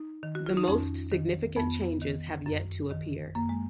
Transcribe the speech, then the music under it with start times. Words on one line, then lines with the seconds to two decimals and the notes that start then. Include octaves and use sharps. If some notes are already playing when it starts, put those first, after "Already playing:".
The most significant changes have yet to appear.
Already playing: D#4
0.23 D#3
0.35 F#4
0.46 F4
0.57 D#4
0.68 F2 C#4
1.12 D#3
1.56 F2 B3
2.02 D#3
2.46 F#2
2.91 D#3
3.35 F#2 A#3
3.49 G#3